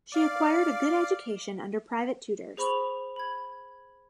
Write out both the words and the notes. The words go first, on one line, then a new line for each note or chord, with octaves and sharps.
She acquired a good education under private tutors.
D5 F5 D6
G#4 C5 B5 C#6 F7
B5 G#6